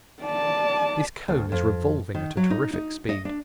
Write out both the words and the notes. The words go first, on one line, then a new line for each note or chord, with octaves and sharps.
This cone is revolving at a terrific speed.
D5 A5
D2
F2
D#3
F#3
D#4
D#4
D#5
D4